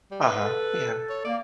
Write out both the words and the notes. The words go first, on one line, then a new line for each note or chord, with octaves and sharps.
Uh-huh, yeah.
G3
B4
A4
C#5
A#3 D5